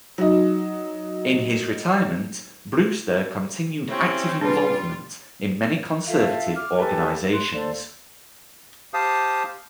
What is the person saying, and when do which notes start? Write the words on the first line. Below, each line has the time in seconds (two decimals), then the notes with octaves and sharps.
In his retirement Brewster continued active involvement in many conservative organizations.
0.18 F#3 D#4
3.89 C4 C#4 E4 G4
4.41 G3 D4 F4 G#4 B4
6.07 F4 A4 E5 F5
6.56 D6 F6
6.78 G4 A4 B4 G#5
7.32 C6 F#6
7.53 A4 C5 D5 F5
8.94 G4 C5 F5 A5 D#6